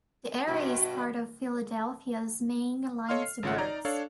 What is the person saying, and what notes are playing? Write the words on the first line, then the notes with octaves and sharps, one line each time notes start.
The area is part of Philadelphia's Main Line suburbs.
G2 B2 F#4
A4 C#5 D#5 F5 C6 F6
C7
G#1 C#3 F4 C#5 F#5
D#4 D5 A#5
D4 A4 C#5 F5